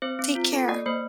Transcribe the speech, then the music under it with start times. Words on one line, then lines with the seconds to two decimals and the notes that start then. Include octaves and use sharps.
Take care.
0.02 C4 C5
0.19 C4
0.35 F4
0.52 A4
0.68 A#3 D5
0.86 A#3 C5